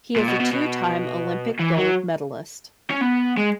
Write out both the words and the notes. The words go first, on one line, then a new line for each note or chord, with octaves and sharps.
He is a two-time Olympic gold medalist.
A#2
B2
B2
B2
E3
F#3
C#4
B3
G#3